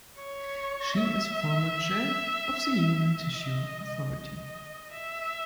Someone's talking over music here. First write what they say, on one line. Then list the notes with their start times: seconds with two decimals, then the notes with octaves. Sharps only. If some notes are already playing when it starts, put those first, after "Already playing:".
She is former Chair of the Human Tissue Authority.
0.17 C#5
0.96 E5
3.35 D#5
4.14 D#5
4.92 E5